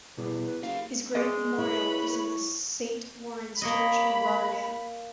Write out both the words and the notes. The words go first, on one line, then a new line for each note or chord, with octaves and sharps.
His grave memorial is in the Saint Laurens Church in Rotterdam.
E2 B2 G3 B3
B4
F#1 G4 F5
G#3 G#4 D5 D#5
E4 B4 C#5 B5
A#3 C#5 D#5 B5